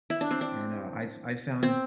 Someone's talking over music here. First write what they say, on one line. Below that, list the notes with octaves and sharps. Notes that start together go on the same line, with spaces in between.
and, uh, I've I've found,
E4
D4
C4
D4
C4